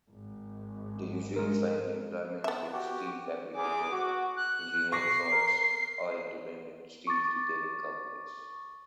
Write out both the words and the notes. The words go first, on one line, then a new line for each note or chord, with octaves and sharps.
They usually find employment with steel fabricators, engineering firms, or independent steel detailing companies.
G#1
G#3 A#4
B3 E5
F#4 G4
E2 G#4 D6
F#4
F#6
C#6 D6 A#6 C7
A#4
C#6 D6 A6